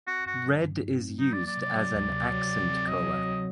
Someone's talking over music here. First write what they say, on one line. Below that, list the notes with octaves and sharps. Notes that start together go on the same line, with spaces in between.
Red is used as an "accent color".
C4 F#4
G2 F#4
F#3
G2
D#4
C4
F#3 D#4
D5
A#3
D5
C3 D5
F#3
D2
C3
F#3
F#3
C4
F#3 D#5
F#3
F#3